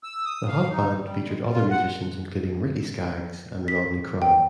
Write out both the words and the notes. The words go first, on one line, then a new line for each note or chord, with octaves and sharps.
The Hot Band featured other musicians including Ricky Skaggs and Rodney Crowell.
E6
D#6
F5
D#4
G3
G#3
G3
F4
F#5
B6
G5